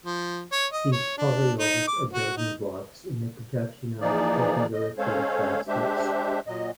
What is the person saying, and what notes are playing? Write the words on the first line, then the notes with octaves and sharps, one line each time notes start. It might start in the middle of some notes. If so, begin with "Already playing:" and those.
These polyols are building blocks in the production of polyurethane plastics.
F3
C#5
D#5
C#5
D4
D#4
D6
F#4
D#4
E3 F3 A#3 D#4 G#4 D5
D#5
G#3 C#4 A4 C5 C#5 F5
G#3 D4 G4 C5 E5
A#2 F#3 D#5